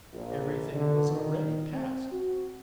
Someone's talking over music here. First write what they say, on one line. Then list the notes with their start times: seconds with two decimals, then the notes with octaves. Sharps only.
Everything was already past.
0.13 A#1
0.74 D3
1.09 D#3
1.73 C4
2.12 F#4